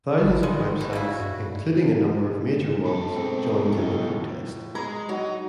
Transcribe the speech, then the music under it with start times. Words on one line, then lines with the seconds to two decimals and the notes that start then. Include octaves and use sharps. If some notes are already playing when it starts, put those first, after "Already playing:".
Thousands of websites, including a number of major ones, joined in the protest.
0.22 G#1 E4 B4
0.43 G#2 D3 D#3 G#3 D5
0.81 B2 F#4
0.93 C#3 E4
1.20 G2
2.85 B2 A4 B5
3.15 G#3 C4 C5
3.72 A2 D#4 F4
4.75 G#3 A#5 B5 G#6
5.09 F#3 D#4 D#5 F#5